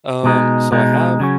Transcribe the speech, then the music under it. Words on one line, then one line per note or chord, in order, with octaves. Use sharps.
um, so, I have
B2 G#3 D#4
B2 G#3 D#4
C#3 F#3 C#4